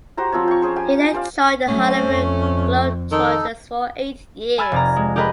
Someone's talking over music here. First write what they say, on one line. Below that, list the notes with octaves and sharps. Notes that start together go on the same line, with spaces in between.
He then joined the Harlem Globetrotters for eight years.
F#4 G4 C5 A#5
F3 C4 F4 C#5
G5 C#6
C#4 G#4 C5
G4 G5 G#5
G4 C5 D5 F5
F#3 A3 C#4
F2 A3
D#3 D#4 A4
G#5 B5 E6 F6 G#6 A6
F1 D5 A#5
G#3
G4 G#4 A#4 B4 D#5 B5